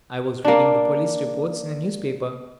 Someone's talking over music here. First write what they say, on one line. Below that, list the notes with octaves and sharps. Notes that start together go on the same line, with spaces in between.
I was reading the police reports in a newspaper.
A#3 D4